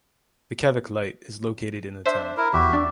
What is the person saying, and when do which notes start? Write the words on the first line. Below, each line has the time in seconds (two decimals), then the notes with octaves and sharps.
The Kevich Light is located in the town.
2.06 D4 C5 E5
2.37 E4 A#4
2.53 E2 F#4 G4 E5
2.73 D4